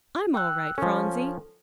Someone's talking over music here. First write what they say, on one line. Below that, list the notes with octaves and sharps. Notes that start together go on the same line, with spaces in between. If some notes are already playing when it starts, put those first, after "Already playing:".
I'm all right, Phronsie.
G5 E6 F#6
F3 C#4 A4